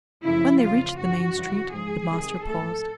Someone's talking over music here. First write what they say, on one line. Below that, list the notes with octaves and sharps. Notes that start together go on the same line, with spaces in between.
When they reached the main street the master paused.
F#2 C#3 F3 A3 E4
F2 C#3 E3 F4
G2 D3 F3 F#4
F#2 C#3 E3 G3
G#2 F3 G#3 G#4
C3 D#3 G3
G#2 F3 A3 A4